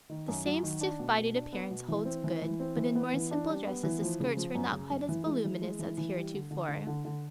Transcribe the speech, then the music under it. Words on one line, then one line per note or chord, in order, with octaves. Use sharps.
The same stiff-bodied appearance holds good, but in more simple dresses the skirts were not quite as voluminous as heretofore.
D#3
F#2
F#3
D#3
D4
B2
B2
D4
B3
B2
E3
C4
E3
E3
C4
E3
B3
E3
D4
G3
B3
E3
F3
C#3
F3
F#2
C#3
F#2
E3
G#3
E3
G#3
E3
E3
G3
D3
D3
D3
D3
D3